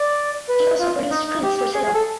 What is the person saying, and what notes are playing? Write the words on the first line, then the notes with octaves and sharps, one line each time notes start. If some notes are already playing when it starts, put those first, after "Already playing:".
He also produced prints for sale.
Already playing: D5
B4
F4
D#4
D#4
G4
G4
G#4
G#4
A4